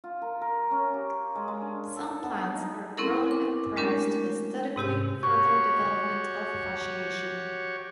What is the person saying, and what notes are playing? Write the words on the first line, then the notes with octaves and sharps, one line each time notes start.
Some plants are grown and prized aesthetically for their development of fasciation.
F4
A#4
A#4
C#4
G4
G#3
G#3
D4
A4
B3
D#4
C4 C#4 E4 A4 A#4
D6
G#3 A3 C#4 D4 G4 A#4
G#2 C3 G4 E6
F#4 G4 C#5 C#6